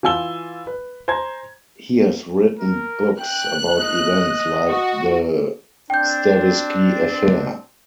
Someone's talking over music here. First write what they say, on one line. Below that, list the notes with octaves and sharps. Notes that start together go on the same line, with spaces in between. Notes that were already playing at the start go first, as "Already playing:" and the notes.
He has written books about events like the Stavisky Affair.
E3 F4 G#5 E6 G7
B4
C5 G#5 A#5 G#6
A#4
G5 F#6
D#5
F#4
C4 D4 G5 G6